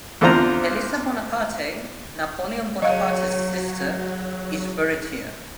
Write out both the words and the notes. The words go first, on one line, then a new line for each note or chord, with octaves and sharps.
Elisa Bonaparte, Napoleon Bonaparte's sister, is buried here.
E2 D3 C4 F4 C5 A#5
C#3 F#3 C#5 D#5 F5